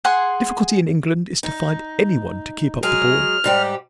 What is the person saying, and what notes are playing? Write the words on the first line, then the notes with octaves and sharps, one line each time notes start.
The difficulty in England is to find any one to keep up the ball.
G#4 F#5 G#5 C6
D#4
F#3 G#3 G#4 F6
G#2 G3 G4